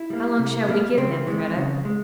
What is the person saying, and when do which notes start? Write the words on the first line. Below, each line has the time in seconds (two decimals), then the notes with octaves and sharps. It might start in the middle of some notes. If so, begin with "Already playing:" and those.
"How long shall we give them, Kreta?"
Already playing: E4
0.10 G3 A#3
0.39 C3
0.69 G3 A#3
0.98 C#3 C4
1.27 E3 G#3
1.56 C#3
1.85 G#3